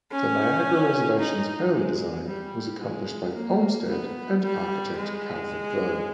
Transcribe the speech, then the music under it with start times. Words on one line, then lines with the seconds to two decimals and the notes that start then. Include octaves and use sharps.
The Niagara Reservation's early design was accomplished by Olmsted and architect Calvert Vaux.
0.11 C#4
1.19 D#4
1.73 G#3
2.27 G3
2.80 G#3
3.34 A#3
3.89 B3
4.43 G3
4.97 G#3